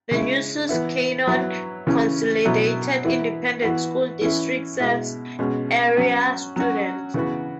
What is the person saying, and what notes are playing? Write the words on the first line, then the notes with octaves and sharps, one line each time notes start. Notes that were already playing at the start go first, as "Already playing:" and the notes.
The Nueces Canyon Consolidated Independent School District serves area students.
C#3 G#3 E4
E3 B3 E4
F#3 B3 E4
C#3 E3 C#4
B2 F#3 E4
E3 B3 E4
E3 B3 F#4
E3 C#4 E4
B2 G#3 E4
B2 G#3 C#4
F#3 C#4 F#4
F#3 C#4 F#4
C#3 E3 B3 F#4